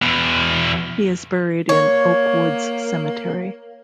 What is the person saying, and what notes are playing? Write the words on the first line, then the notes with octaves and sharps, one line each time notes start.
He is buried in Oak Woods Cemetery.
E2 B2
A#3 C#5